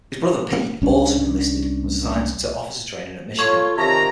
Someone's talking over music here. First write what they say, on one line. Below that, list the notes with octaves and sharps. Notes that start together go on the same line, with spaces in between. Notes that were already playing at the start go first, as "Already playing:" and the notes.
His brother, Pete, also enlisted and was assigned to officer training at Michigan.
C2 C#4 D4
F4 A4 C#5
C3 D#3 A5 A#5